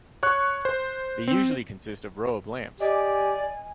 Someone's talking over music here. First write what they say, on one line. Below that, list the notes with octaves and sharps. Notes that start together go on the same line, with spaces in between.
They usually consist of row of lamps.
C#5 C#6 F#6
C5
C4
G4 D5 D#5 G#5